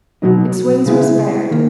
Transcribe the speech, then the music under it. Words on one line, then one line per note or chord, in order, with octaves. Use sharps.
Its wings were spared.
B2 F#3 B3 D#4
C#3 G#3 B3 E4
D#3 A#3